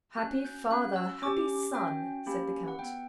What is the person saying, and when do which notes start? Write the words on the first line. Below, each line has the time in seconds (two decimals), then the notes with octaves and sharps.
"Happy father, happy son!" said the count.
0.17 F#4 F#6
0.23 C#4
0.45 G6
0.70 C#4 F#4 F#6
0.96 E6
1.22 C#4 G4 D6
1.74 C#4 F#4 G5
2.26 A#3 C#4 G4 B5
2.68 F#5
2.79 B3 F#4 G5